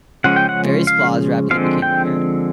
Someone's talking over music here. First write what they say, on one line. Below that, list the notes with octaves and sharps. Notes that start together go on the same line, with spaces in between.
Various flaws rapidly became apparent.
C#3 F3 G#3 C#4 F#5
G5
F#5
F5
D3 F3 G#3 C4 F5
G5